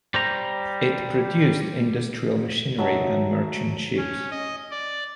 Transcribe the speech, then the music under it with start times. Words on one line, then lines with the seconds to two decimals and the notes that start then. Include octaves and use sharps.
It produced industrial machinery and merchant ships.
0.14 G3 C5 A#5
2.78 F#3 D#4 E5 A5
3.97 C#4
4.31 D#5
4.71 D5